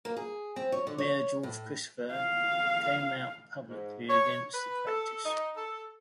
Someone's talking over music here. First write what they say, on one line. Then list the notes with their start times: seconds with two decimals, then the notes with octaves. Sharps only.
Mayor George Christopher came out publicly against the practice.
0.05 A#3
0.17 G#4
0.56 C4
0.72 C#5
0.87 D3
0.98 C#5
1.43 A2
2.11 F5
3.68 G#2
4.09 C#5
4.54 B4
4.87 A4
5.25 D#4
5.57 A4